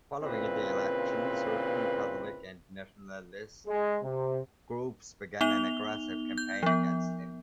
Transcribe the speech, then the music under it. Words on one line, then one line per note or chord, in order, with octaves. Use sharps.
Following the election, certain Catholic and nationalist groups began an aggressive campaign against him.
A#2 C#3 E3 C4 B4
G#3
C3
B3 D#4 F7 G7
G6
F3 B3